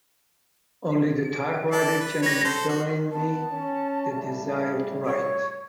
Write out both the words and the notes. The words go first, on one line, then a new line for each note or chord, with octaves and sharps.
Only the typewriter can instil in me the desire to write.
A4 D5 A5
B4
G3 B4 C#5
A4 C5
F#4
D#3 B3 A5
C#4
A2 C#3 G3
C#5